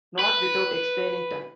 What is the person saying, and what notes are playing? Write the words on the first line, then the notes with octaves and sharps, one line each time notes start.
Not without explaining time.
B4